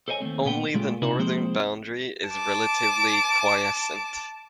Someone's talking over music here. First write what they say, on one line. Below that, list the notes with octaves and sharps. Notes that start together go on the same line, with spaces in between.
Only the northern boundary is relatively quiescent.
A4 C5 C#5 D#5 G#5
D#2 G#2 A3 C4
A#2 B3 G5
A#2 G#3 A3 F4 G4
C3 D#4 E4
F3 G#3 A#3 C4 C5
A5 D6